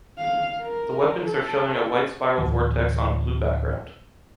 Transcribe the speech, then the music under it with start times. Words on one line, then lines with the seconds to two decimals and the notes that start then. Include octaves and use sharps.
The weapons are showing a white spiral vortex on a blue background.
0.18 F5
0.62 A#4
1.24 A4
2.38 D2 A2 D3 E3